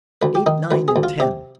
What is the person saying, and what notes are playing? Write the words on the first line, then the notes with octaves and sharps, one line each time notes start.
Eight, Nine and Ten.
D2 B4
G4
D#3 D#4
D2 B4
G#4
D2
F4
C3 G4